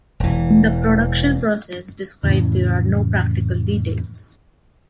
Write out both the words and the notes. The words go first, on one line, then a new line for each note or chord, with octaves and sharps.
In the production process described there are no practical details.
E1 E3
F2 A2 C#3 E3